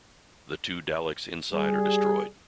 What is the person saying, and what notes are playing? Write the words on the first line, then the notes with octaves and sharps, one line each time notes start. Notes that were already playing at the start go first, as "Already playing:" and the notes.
The two Daleks inside are destroyed.
G3 G#4